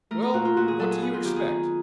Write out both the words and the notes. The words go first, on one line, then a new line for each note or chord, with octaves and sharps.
'Well, what do you expect?
A3 A#4
A#4
A#2 F#4
F4
A#2 F#4
G#4
F#3 A4
G#4
B3 G#4
F4
D#3 G4
G#4
D#3